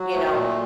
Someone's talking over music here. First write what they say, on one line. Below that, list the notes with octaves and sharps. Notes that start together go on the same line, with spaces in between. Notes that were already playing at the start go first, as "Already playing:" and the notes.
You know?
Already playing: F#3 F#4
A3
A#2